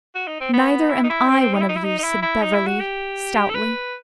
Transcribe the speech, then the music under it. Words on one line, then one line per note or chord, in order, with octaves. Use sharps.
"Neither am I one of you," said Beverly stoutly.
F#4
D#4
C4
B3
E4
D#4
E4
C4
C4
D#4
E4
D#4
E4
D#4
D#4
E4
E4
D#4
E4
F#4
G4
A4
B4